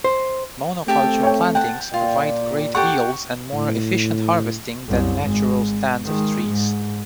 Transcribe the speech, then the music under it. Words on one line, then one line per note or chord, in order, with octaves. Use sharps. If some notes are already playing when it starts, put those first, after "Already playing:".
Monoculture plantings provide great yields and more efficient harvesting than natural stands of trees.
C5
A3 C4 G4 E5 A5
C#5 G5
F#5 G5 A5
A#2 F4 D5
G4 A4 F#5 C#6
A2
C2 F#2
G#1 G#3
D#3 G#3
G#2